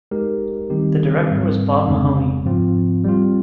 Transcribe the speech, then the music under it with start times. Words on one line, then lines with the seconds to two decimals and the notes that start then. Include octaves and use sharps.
The director was Bob Mahoney.
0.11 G#3 D#4 G4 A#4
0.70 D#3 G3 C4 D#4 G4
1.29 G#2 G3 C4
1.88 F2 C#3 G#3 C4
2.46 G#2 F3 C4 F4
3.05 G3 C4 F4